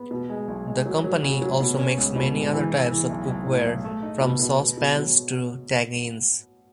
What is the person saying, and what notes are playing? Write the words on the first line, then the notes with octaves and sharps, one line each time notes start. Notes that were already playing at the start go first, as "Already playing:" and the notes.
The company also makes many other types of cookware, from sauce pans to tagines.
Already playing: B3
B2
G#3
B1
G#3
F#3
F#3
C#3
F#3
B2
C#4
C#2
B2
G#2
E3
E4
E3
B1
B1
A2
B1
A3
D#4
B2
B2
B2
B2
F#3